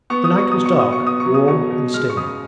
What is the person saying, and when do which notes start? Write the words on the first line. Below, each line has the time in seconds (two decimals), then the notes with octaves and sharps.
The night was dark, warm, and still.
0.10 B3 C#6
0.24 D#6
0.33 F#3 C#6
0.52 B2 D#6
0.66 C#6
0.79 B2 D#6
0.93 C#6
1.02 B3 D#6
1.20 F#3 C#6
1.34 D#6
1.48 B2 C#6
1.71 B2
1.94 G#3 F6
2.10 C#6
2.17 C#3 D#6